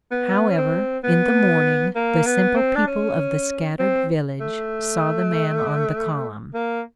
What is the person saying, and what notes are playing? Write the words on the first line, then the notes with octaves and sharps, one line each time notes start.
However, in the morning the simple people of the scattered village saw the man on the column.
B3
C#4
C4
B3
A#3
B3
C4
D4
C#4
C4
A3
A#3